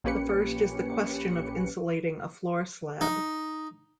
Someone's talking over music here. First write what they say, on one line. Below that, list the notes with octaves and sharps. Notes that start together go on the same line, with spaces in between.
The first is the question of insulating a floor slab.
A#1 A#3 C#4 G4 B4 C#7
D#4